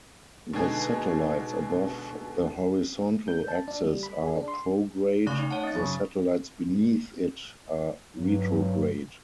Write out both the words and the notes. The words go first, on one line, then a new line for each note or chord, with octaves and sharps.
The satellites above the horizontal axis are prograde, the satellites beneath it are retrograde.
B2 D3 G#3 D#4 G#4
G6
A5
D4
G3
B5
G#4
D4
C6
C#3 A3 D5 C#6
D#4
C#5 F#5 A5
C4 D#5 A6
F#2 A#2 C#3
G2 F#3